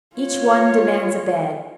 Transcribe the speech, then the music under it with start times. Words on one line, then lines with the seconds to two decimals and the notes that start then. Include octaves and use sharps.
Each one demands a bed.
0.16 F4 C#5